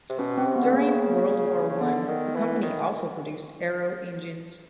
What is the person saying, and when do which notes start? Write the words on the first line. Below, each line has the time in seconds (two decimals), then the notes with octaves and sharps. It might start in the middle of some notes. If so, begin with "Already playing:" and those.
During World War One the company also produced aero engines.
0.09 C3
0.19 B2 C#4
0.38 C4
0.46 C3
0.56 B3
0.62 D3
0.73 C#3 A#3
1.69 C#3
1.81 D3 B3
2.08 D#3
2.35 E3
2.62 D#3